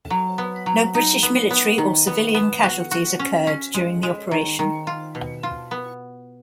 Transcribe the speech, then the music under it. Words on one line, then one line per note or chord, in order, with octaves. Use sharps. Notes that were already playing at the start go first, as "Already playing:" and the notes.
No British military or civilian casualties occurred during the operation.
F#3
B3
F#3
D#4
B3
B3
D#3
B3
B3
F#4
F#4
C#4
C#4
G#3
G#3
D#3
D#3
F4
B2
F4
B3